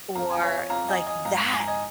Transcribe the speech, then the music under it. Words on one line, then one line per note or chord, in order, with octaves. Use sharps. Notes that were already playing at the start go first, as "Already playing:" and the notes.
or like that,
F2 F5 A#5
G#5
F3 C#5 F5
F2 F5 A#5
D#5 G#5
F2
D#5 G#5
G#2 F5 A#5
G#2 G#5
A#5
D#5 G#5